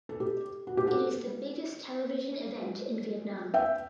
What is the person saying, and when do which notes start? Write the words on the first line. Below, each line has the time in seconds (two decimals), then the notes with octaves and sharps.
It is the biggest television event in Vietnam.
0.09 A4
0.20 G4
0.67 F#4
0.77 G4
0.87 F#4 A4
3.54 E5 G5